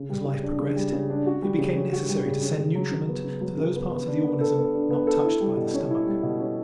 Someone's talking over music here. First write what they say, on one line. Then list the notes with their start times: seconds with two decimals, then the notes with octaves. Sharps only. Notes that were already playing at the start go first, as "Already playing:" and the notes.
As life progressed it became necessary to send nutriment to those parts of the organism not touched by the stomach.
Already playing: C#3
0.09 G3
0.26 C#3
0.43 D4
0.59 C#3
0.76 G3
0.92 C#3
1.10 D4
1.26 F#4
1.42 G3
1.58 C#3
1.75 C#4
1.92 F#4
2.09 G3
2.26 C#3
2.42 C#4
2.59 C#3
2.75 F#3
2.92 C#3
3.08 B3
3.24 C#3
3.41 F#3
3.57 C#3
3.75 B3
3.90 B3
4.07 D4
4.24 B3
4.41 A4
4.58 B3
4.74 D4
4.90 B3
5.07 A4
5.24 E4
5.40 G3
5.56 B2
5.73 C#4
5.90 E4
6.07 G3
6.23 B2
6.40 C#4